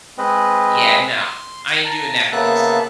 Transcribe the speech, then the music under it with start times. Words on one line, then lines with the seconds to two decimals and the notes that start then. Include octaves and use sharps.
Yeah, no. I ain't doing that place.
0.18 G#3 C4 B4 D#5
1.18 C6
1.85 A5 A#5
2.32 C#3 A#3 B3 E5 A5 F#6